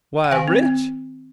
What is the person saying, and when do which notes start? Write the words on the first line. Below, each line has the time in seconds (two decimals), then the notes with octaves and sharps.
Why, rich?
0.24 G5
0.32 D#3 F5 G#5
0.48 C4
0.63 C4